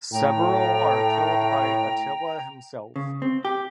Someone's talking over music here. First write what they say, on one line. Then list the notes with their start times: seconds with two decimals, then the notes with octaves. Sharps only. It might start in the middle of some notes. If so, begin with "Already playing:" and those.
Several are killed by Attila himself.
0.13 A2 G5 A#5
2.96 C#3
3.22 C4
3.45 G4